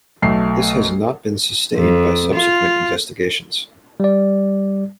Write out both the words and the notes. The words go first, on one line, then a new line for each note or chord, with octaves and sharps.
This has not been sustained by subsequent investigations.
B1 A3 C7
F2
F4
G3 D5